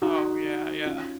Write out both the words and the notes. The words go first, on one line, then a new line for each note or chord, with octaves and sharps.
Oh, yeah yeah.
D#4 F#4
C#4 F4